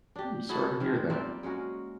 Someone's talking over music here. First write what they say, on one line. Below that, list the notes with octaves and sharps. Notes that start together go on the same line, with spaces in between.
I'm sorry to hear that.
D4 G4
E4 F#4 G#4 A4
D#3 F3 G#3
F3 G3 A#3 C4
G#3 C#4 F#4 A#4